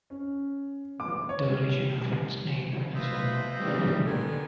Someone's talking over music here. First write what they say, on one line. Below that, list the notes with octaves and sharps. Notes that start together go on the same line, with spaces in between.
The origin of its name is unknown.
C#4
D6
C#5
G3
A3 F4 B4 C5 D#5 E5
C#3 E3 G3 C4
D3 D#3 B3 G#5